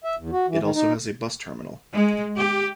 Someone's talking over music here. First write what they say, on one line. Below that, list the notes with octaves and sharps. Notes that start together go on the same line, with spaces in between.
It also has a bus terminal.
E5
E2
F#4
E3
D#3
D#4
G#3
G4